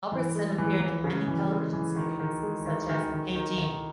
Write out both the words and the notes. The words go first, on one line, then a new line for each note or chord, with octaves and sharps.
Albertson appeared in many television series, such as Hey, Jeannie!
E3
G#3
E3
E3
C#3
E3
G#3
E3
D#3
D#3
G#3
D#3
D#3
D#3
D#3
D#3